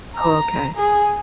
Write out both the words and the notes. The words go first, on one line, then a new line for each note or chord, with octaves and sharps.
Oh okay.
A#5
G#4